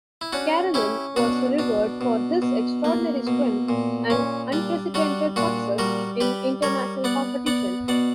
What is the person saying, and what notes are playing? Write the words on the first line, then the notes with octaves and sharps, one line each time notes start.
Karelin was revered for his extraordinary strength and unprecedented success in international competition.
E4
C#4 D4 F#4
C#4 E4 G4
B2 D4 F#4
B2 D4
B2
B2
A#3
B2
A#2
A#2 C#4
G3 D4
G3 D4 F#4
A#2 D4 F#4
G3 F#4 A#4
G3 G4 B4
G3 A#4 C#5
B3 D5 F#5
B3 D5 F#5
B2 D5 F#5